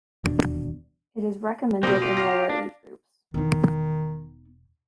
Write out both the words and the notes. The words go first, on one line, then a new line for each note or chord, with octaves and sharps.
It is recommended in lower age groups.
D#1 E2 B2 D4
B2 G3 A#3 C4 D#6 A#6
F4 G4
F5 A#6
D4
E1 D#3 E3 B3 D#4